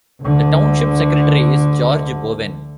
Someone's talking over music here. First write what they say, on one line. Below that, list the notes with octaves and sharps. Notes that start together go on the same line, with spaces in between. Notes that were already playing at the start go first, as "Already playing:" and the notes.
The Township Secretary is George Bowen.
D2 D3